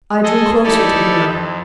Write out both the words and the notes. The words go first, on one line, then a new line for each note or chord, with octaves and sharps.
I drew closer to her.
G#4 A4 D#5
D#4 E4 G4 A4 D5
F2